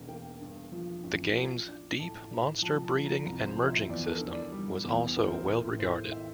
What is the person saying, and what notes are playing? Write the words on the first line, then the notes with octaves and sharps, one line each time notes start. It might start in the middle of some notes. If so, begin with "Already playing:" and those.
The game's deep monster breeding and merging system was also well regarded.
Already playing: E1
A#3 G5
G2
F3
A1
F4
D4
A2 A5
D4
F3 A5
A5
F3
A#5
C2 A#5
C5
F3
E5
E2 D5
A4
A#4
D3
D5
G3
E2
A1 A#4
C5
A#4
A2
A2 C5
C5
E3 E5